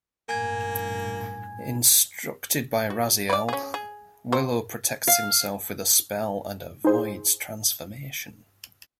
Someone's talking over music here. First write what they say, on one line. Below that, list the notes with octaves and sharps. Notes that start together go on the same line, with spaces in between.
Instructed by Raziel, Willow protects himself with a spell and avoids transformation.
A1 G2 A#2 A#3 G#5 G#6
F#4
B4 D5
C#4 G#4
G#4
F#3 C5
F5
D#4 E4 G#4 C5